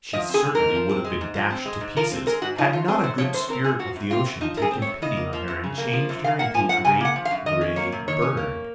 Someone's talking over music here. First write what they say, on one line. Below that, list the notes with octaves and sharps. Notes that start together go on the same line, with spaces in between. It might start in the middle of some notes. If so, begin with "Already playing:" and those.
She certainly would have been dashed to pieces, had not a good spirit of the ocean taken pity on her, and changed her into a great gray bird.
F3 D#5
C4 G#4
G#3
G#2 A#4
F3
C4
G#3
G#2
F3
C4
G#3
G#2
F3 A#4
C4
G#3 A#4
G#2 F#4
F3 D#4
F#2 F4
C4 G#4
F#2 C5
F3 C#5
F#2 C5
C4 A#4
F#2 G#4
F3 F#4
F#2
C4 F4
F#2
F3 D#4
F#2 A#4
G#4
C4
C#5
F#2
C#3 D#5
A#3
F3
F#2
C#3
A#3
F3
F#2
C#3 F5
A#3 F#5
F3 G#5
F#2 F#5
C#3 G#5
A#3 F#5
F3
F5
F#2
D#3 D#5
C#4
A#3 C#5
F#2
D#3 C#5
C#4
A#3